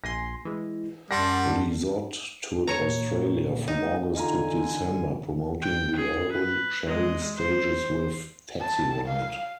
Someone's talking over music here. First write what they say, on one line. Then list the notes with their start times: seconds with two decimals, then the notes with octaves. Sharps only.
Lizotte toured Australia from August to December promoting the album, sharing stages with Taxiride.
0.04 A#1 G#5 C6 A#6
0.45 E3 G#3
1.11 F#2 G3 D5 F#5 A5 C6 A#6
2.67 A4 B4 C#5 A#5 C#6
2.81 A#2
3.68 D#4
4.15 D3 D#4 F4 G#5 A#5
5.62 G5
5.96 G#4
6.32 B4
6.86 G#3 D#5
7.35 C5
8.61 A5
9.08 F5